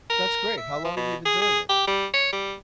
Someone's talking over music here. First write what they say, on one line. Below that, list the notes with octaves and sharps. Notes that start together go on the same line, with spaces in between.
That's great, how long have you been doing it?
A#4
E5
F3
B2
G#4
G#4
G4
G3
C#5
G3